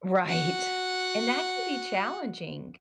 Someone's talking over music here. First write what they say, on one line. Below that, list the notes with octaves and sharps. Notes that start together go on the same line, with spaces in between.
Right, and that can be challenging.
F#4 F#5